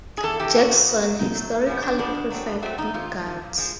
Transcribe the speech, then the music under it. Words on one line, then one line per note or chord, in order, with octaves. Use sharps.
Jackson historically preferred big guards.
G#4
E2 A4
C3 E3 G4
E2 F#4
C3 E3
C#3
F#3 A3
C#3 D#4
F#3 A3
G#2
F3 G#3 B3
G#2 D4
F3 G#3 B3 D4
B2
F#3 A3 C4
B2
F#3 A3 C4
E2 D#4
C3 D#3 F4
E2
C3 D#3
A#2
F3 G#3